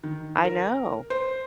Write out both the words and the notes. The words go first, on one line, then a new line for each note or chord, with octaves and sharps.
I know.
D#3
A#4
C5